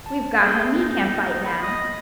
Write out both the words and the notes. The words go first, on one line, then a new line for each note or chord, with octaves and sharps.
"We've got him; he can't bite now."
A5
A#3 G#4 G5 C7
D#4
B5
D#5